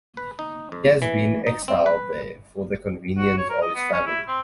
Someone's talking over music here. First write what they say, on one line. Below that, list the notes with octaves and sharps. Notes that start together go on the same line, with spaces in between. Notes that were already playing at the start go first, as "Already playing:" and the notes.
He has been exiled there for the convenience of his family.
B4
D#4
F2
E3
D#4
C4
B4
F#4
C#5
A#4
D#5
B3
C#4
E4
C4